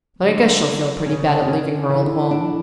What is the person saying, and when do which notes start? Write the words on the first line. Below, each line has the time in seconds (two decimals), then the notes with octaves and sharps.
But I guess she'll feel pretty bad at leaving her old home.
0.23 D3 F#3
0.64 F#3
1.06 C#3 C#4
1.48 C#4
1.89 D3 E3
2.31 D4